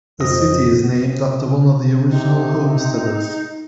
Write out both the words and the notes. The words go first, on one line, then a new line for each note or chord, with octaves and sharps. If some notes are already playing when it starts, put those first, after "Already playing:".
The city is named after one of the original homesteaders.
F2 C5 D#5
C3 D#4